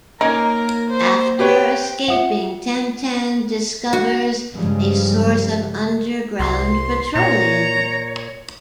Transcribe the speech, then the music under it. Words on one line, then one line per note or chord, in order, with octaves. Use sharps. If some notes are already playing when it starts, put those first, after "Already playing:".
After escaping, Tintin discovers a source of underground petroleum.
A#3 C#4 D#4 A#4 A#5 G#6 D7
C5
G4 B4 C#5 G5
F4 E5 F#5
F#4
G2 C#3 F3 G3 G#3
C2 C6
A#2 C#5 A#5